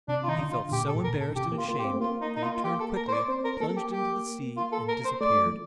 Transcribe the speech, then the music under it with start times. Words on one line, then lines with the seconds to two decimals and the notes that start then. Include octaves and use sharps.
He felt so embarrassed and ashamed that he turned quickly, plunged into the sea, and disappeared.
0.08 C3 D4
0.23 F4
0.28 D#3 D#4
0.40 D3
0.51 F4
0.71 A#2 G4
0.87 A4
0.95 A2
1.04 A#2 A#4
1.20 A4
1.30 D3
1.36 C3 G4
1.52 A#3
1.58 F4
1.68 A#3 F4
1.79 G4
1.84 C4
1.93 A3
2.01 A#3 F4
2.21 D#4
2.35 D#4
2.43 F4
2.55 F4
2.64 G4
2.80 A4
2.96 A#4
3.08 C5
3.12 D5
3.28 C4 C5
3.44 A#4
3.60 A#3 A4
3.77 G4
3.92 G4
4.57 F4
4.72 A4
4.88 A#4
5.05 C5
5.21 A3 D5
5.46 F3